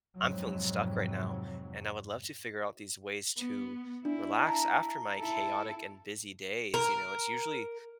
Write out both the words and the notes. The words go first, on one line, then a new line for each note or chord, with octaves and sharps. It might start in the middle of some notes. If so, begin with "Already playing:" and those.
I'm feeling stuck right now, and I would love to figure out these ways to relax after my chaotic and busy days, you know? It's usually
F2 G#2 C3 F#3
B3
D4 E4
A5 A#5
E4 A4
A#4